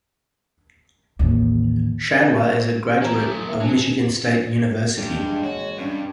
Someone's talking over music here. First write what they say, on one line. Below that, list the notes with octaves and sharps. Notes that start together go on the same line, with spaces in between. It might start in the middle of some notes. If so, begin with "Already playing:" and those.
Schadler is a graduate of Michigan State University.
A1 D#2
E3 C#5 G#5 A#5
C#2 A3 G4
F#3 F#4 D#6
A#3 E4 A#4 E5
F#3 D4 C#5 G#5
A#1 E2 G2 G#3 G4
F#4 C#5
G2 C#4